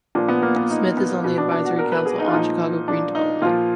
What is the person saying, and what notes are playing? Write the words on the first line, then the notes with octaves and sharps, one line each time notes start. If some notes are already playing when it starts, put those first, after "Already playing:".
Smith is on the Advisory Council on Chicago Green Development.
A#2 F3 D4
B3
A#3
B3
D#4
B3
B2 B3
D4
D4
F#4
A#4
B4
G#4
D#4
F4
A#2 F3 D#4
D4
D#4
A#2 F3 F4